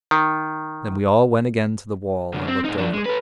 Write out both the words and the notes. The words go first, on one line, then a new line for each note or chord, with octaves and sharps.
Then we all went again to the wall and looked over.
D#3
C2 D3
C4
A2 D#4
F3 D4
G#3
A4 B4